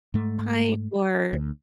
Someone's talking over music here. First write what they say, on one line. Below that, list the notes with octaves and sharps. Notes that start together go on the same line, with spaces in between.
pint or
G#2 A3
D2